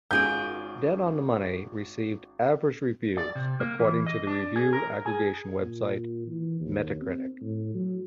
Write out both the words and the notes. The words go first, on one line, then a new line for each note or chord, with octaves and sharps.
"Dead on the Money" received "average" reviews according to the review aggregation website Metacritic.
G#1 C#4 F4 G#4 F5 G6 D7
D5
C3
A#3
E3
D#5
D4
G#4
A#4
G#4
A#2
E3
D#2
C4
A2
F#3